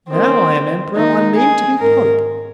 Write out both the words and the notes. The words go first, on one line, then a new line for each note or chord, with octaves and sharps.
Now I am emperor, I mean to be pope!
D#2 D#3 C4
D#2 D#3 D#4
G#4
G#2 D#3 A#4